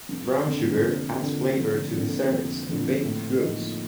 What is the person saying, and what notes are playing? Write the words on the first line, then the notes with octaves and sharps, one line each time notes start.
Brown sugar adds flavor to desserts and baked goods.
F1
F2 D3 F3 A#3
F1
F2 D3 F3 A#3
F1
F2 D3 F3 A#3
F1
F2 D3 F3 A#3
A2
F3 A#3 D#4